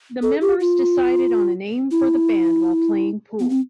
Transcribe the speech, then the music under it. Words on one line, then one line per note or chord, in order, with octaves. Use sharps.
The members decided on a name for the band while playing pool.
A4
G4
F4
E4
B3
C4